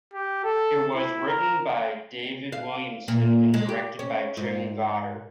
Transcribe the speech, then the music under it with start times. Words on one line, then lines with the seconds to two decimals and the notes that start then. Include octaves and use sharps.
It was written by David Williamson and directed by Jim Goddard.
0.14 G4
0.44 A4
0.95 E4
1.28 A#4
2.52 F5
3.08 A#2
3.54 G#3
3.69 G4
3.99 C#4
4.37 G#2